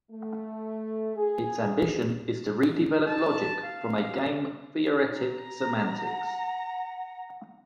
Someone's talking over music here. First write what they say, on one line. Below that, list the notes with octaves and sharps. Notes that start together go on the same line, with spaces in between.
Its ambition is to redevelop logic from a game-theoretic semantics.
A3
G#4
A5
F5
A#5
F#5